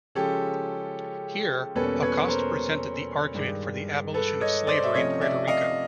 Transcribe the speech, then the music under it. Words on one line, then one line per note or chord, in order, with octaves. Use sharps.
Here, Acosta presented the argument for the abolition of slavery in Puerto Rico.
C#3 F3 G#3 C#4 G4 A4
E2 B2 G3 A#3 C#4 A4 B4
B4 C#5
A#4 C5
G2 D#3 G#3
A4 B4
C#5 D#5
C5 D5
E5
C3 F3 A3 C#4 C#5 D#5
D5 E5
D#5 F5